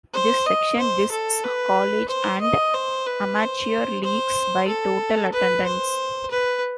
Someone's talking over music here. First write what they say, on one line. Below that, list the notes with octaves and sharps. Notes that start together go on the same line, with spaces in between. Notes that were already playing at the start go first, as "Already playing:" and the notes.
This section lists college and amateur leagues by total attendance.
C5
D#5
C5
A4
B4
C5
D#5
C5
B4
C5
C5
A4
B4
C5
B4